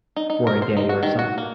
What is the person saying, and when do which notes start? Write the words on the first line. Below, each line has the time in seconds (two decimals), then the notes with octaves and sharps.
for a day or something
0.16 D#4
0.30 D#4
0.47 A#4
0.62 C5
0.77 D#4
0.89 F#4
1.03 D#3
1.19 F#4
1.38 A#3